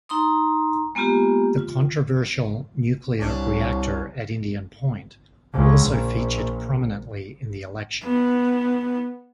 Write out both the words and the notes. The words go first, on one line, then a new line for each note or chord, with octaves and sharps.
The controversial nuclear reactor at Indian Point also featured prominently in the election.
D#4 A#5 C6 D#6
G#3 A#3 B3 F4 G4
F4
C2 C#4 D4
C#2
A#1
B3